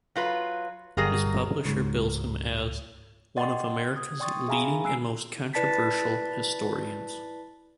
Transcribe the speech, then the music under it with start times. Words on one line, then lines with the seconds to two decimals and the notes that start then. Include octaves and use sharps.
His publisher bills him as "one of America's leading and most controversial historians".
0.16 F#3 F4 B4
0.97 G1 F#3 G3 G#4 A#4 A#6
1.66 C#2 G#2
3.37 D5 D#5 F#5 G5 C6 A6
3.96 D#6 G#6
4.20 D5 G5 C6 C#6 D#6 A6
4.48 G#4 E5 F5 G#5 A#5 B5
4.84 G#5 E6 F#6 C7 D7
5.54 E4 B4 D5 A5 A6 B6